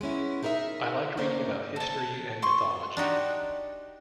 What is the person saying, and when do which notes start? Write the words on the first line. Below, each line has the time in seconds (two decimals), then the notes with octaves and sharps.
I like reading about history and mythology.
0.01 G#3 B3 C#4 E4
0.43 D#4 G#4 A#4 D5 E5
1.17 A3 A#3 C#4 D#4 C5 D5
1.76 A4 A5
2.42 C6 C#6
2.97 D4 D#4 F#4 G4